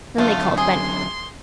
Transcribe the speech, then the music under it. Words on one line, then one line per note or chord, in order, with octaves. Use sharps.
Then they called Benny.
F#2 D3 A3 F4
G#4 C6